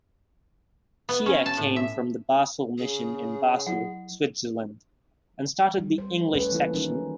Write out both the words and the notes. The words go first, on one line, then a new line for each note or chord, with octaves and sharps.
Shie came from the Basel Mission in Basel, Switzerland and started the English section.
B3
C#4
A5
A2
E5
C#3 G#4
F#3 E4 F#5
G3
C5
A3 C#4 D4 A4 B4 C#5
E3 G3 A#3 E4 F4 A4
D#3 F#3 C#4 D#4 A#4